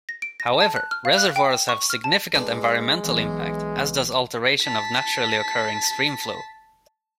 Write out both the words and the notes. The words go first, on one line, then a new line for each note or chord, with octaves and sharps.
However reservoirs have significant environmental impact, as does alteration of naturally occurring stream flow.
A#6
D7
A#6
A5
F#6
F6
F5
F#6
G5
C#6
F6
A5
G#3 D4 A4 B4
B1 E3
A5 B6